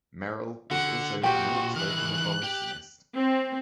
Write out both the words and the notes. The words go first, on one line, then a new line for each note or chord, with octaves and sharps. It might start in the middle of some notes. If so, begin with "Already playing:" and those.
Merrill was also an outspoken abolitionist.
D3 F#4 F#5
A#2 F3 F#4 G4 G5
D#3 E3 F#6
G4 G5
C4